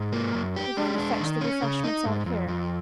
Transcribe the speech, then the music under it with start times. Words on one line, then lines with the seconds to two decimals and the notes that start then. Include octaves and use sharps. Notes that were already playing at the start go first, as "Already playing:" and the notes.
"They're going to fetch the refreshments out here."
Already playing: G#2
0.13 A#3
0.35 F#2
0.56 G4
0.77 G#3
0.98 D4
1.20 D#3
1.41 C#4
1.62 C#3
1.84 D#4
2.05 G#2
2.26 F2
2.48 F2